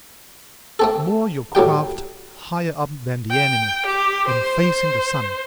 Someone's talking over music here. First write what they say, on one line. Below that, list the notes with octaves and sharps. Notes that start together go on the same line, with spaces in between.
Moor your craft higher up than the enemy, and facing the sun.
A3 C4 A4
A2 F#3 G3 G5
G5
G4
C5